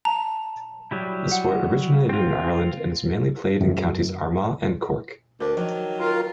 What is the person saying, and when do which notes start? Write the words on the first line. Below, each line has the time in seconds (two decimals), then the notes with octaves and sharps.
The sport originated in Ireland and is mainly played in counties Armagh and Cork.
0.05 A5 A#5
0.91 F#3 G3 E4
1.32 F#5
2.09 C4 F4
3.61 F#2
5.40 D2 D4 A#4 C5
5.57 D#3 F3 F#3
6.00 F4 A#4